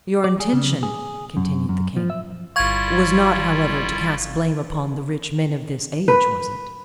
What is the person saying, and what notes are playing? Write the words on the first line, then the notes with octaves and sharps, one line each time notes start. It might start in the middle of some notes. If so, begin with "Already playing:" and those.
"Your intention," continued the king, "was not, however, to cast blame upon the rich men of this age, was it?"
D5
G#4
C#3
G#4
F#2
F#2
F3
E5
G1 G3 E4 F4 F5 C#6 G#6
B4